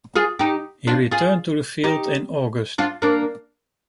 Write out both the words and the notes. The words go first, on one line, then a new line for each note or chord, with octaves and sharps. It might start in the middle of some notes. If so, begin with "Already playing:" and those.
He returned to the field in August.
F4 G#4
D#4 G4
D4 F4
F4 G#4
D#4 G4
D4 F4
A#3 D4